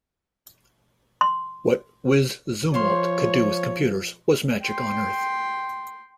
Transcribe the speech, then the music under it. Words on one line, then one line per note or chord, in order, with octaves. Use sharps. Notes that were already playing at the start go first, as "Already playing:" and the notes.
What "Wiz" Zumwalt could do with computers was magic on Earth.
C6
F3 C5 C#5 F5 C6
G5 C6